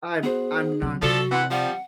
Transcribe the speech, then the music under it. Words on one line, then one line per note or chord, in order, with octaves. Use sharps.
I'm I'm not sure.
B3 F#4 G#4 C5
C3 F#3 C4
C3 F3 D4 F#4 A4
E3 C4 F#5 C6
F3 G3 F#5